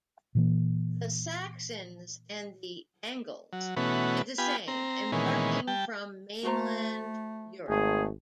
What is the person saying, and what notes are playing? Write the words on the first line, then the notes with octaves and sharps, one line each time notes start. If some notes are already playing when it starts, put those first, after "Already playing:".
The Saxons and the Angles did the same, embarking from mainland Europe.
A#2 E3 A#3
F#3
B2 E3 A3 B3 C#4 F#4
B3 F4 G4 G#5 B5
C4 A#5
A#2 D#3 E3 G#3 B3 C#4
G3 G5 A5
A3 F#4 C5 A#5
G#1 A3 G#4